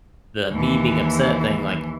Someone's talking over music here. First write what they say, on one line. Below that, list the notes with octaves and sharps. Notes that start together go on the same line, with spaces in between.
the me-being-upset thing, like,
D#2 E3